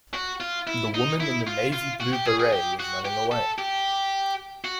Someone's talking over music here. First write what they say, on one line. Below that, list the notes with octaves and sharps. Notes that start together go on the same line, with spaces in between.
The woman in the navy blue beret was running away.
F#4
F4
E4
D#4
E4
F4
F4
F#4
G4
G#4
G#4
G4
F#4
G4
A4
G4
F#4